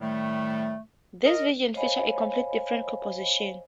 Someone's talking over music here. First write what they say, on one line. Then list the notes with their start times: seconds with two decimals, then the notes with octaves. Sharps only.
This version features a completely different composition.
0.01 A2 D#3 G3 A3
1.25 A#4 D#5
1.74 C5 C#5 D#5 F5 G#5 B5